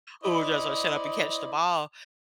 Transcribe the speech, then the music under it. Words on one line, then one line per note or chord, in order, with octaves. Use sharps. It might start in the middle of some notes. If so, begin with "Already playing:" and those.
who are just, like, "Shut up and catch the ball,"
E4 C5 D5 D#5